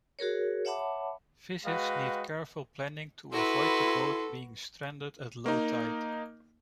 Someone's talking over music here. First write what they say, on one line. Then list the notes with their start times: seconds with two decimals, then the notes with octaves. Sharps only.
Visits need careful planning to avoid the boat being stranded at low tide.
0.19 F#4 G#4 A#4 C#5
0.65 C#5 E5 F#5 A5 B5 D6
1.65 G#3 F#4 B4 D#5 F5 G5
3.33 E4 F#4 A4 B4 C6
5.46 A#3 D#4